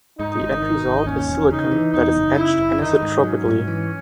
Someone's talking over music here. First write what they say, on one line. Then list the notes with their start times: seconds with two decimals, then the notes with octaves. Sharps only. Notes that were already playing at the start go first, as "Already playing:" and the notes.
The end result is silicon that is etched anisotropically.
0.19 G#2 D#4
0.41 G#1
0.63 D#3
0.85 G#1
1.06 D#2 C#4
1.28 E1
1.50 C#3 D#4
1.71 E3
1.93 E2 D#4
2.15 F#1
2.37 C#3 E4
2.58 F#1
2.81 D#3 D#4
3.02 G#2
3.24 F#3 C#4
3.45 G#2
3.68 E3